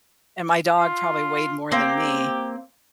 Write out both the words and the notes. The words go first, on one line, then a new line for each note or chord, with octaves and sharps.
and my dog probably weighed more than me,
F4
A#3 C4 G4